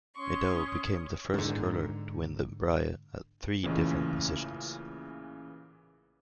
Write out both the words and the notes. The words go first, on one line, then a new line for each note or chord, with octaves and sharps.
Middaugh became the first curler to win the Brier at three different positions.
C#4 C6 C#6 D#6
G#2 D3
A1 A#2 C#3 E3